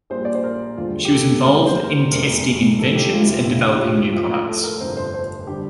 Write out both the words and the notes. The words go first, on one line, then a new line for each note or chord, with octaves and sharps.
She was involved in testing inventions and developing new products.
A#1 A#2 G3 C5
D5
C5
A#4
E1 D2 D3 G3 F4
G4
A4
D2 D3 G3 A#3 A#4
C5
A#4
C5
F1 E2 C3 A#4
F1 F2 D3 G3 A#3 A4
G4
F4
E4
F4
E1 D2 D3 A3 E4
G4
F4
A1 A2 F3 F4
F4
A4
A#4
G1 F2 C3 C5
C5
C5
D3 G3 G4